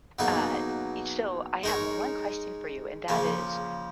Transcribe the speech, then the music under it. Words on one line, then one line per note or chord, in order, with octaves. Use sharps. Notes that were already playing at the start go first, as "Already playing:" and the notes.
uh, e so, I have one question for you and that is:
B2 F#3 A#3 D#4 G#4
G#3 D#4 A#4 C#5
C#3 F3 A#3 C#4